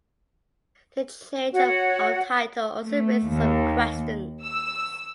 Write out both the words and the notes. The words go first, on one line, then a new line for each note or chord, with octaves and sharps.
The change of title also raises some questions.
F#4 C#5 F#5
A3
D#2
E6